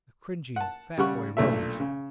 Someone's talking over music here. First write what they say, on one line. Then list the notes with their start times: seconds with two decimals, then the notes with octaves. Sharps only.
The cringing fat boy rose.
0.56 F#5 A5
0.98 C#3 G3 F#5 C#6
1.37 B1 A#2 A3 D4 E5
1.80 C#3